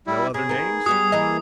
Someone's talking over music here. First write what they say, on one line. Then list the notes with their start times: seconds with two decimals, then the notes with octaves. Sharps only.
"No other names?"
0.07 G3 E4
0.34 C#3 G#4
0.49 D#3 B3
0.86 G3 B3 F#4 D#6
1.12 E3 A#3 D#5